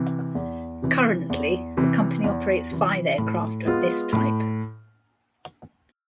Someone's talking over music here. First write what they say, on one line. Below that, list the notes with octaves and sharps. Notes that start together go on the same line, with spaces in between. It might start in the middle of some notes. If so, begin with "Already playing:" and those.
Currently, the company operates five aircraft of this type.
Already playing: C3 E3
E2
C3 E3
E2
C3 E3
E2
C3 E3
A2
G#3 B3 F4
A2